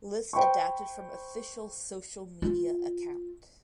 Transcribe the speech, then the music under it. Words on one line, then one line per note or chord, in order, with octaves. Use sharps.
List adapted from official social media account.
C5 G5 B5 C#6
F4